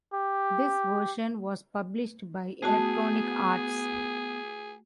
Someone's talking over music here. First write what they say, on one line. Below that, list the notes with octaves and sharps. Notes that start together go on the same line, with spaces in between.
This version was published by Electronic Arts.
G4
A3 B3 F#4 G#4 A5